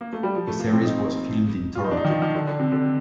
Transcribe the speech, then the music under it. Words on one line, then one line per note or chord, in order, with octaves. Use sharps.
The series was filmed in Toronto.
A#3
A3
G3
F3
A3
A#3
C4
D#4
F4
D#4
D4
D#4
D#3
F3
D#3
D3
D3
C3
D3